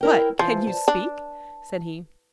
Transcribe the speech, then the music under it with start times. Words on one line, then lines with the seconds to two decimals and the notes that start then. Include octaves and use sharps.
'What! can you speak?' said he.
0.01 E4 A#4 G5
0.39 E3 F3
0.67 A5
0.88 D4